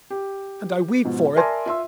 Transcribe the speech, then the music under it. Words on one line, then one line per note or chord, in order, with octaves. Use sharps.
And I weep for it!
G4
G#2 B2 F3
A#4 D5 E5 G#5 A5 C6
F4 E5 C6 E6